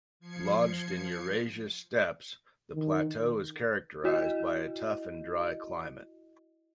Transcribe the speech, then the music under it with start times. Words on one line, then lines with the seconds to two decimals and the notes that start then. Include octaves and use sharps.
Lodged in Eurasia’s steppes, the plateau is characterized by a tough and dry climate.
0.20 F3 G#6 C7 C#7
2.75 D#3
4.04 E4 F#4 D#5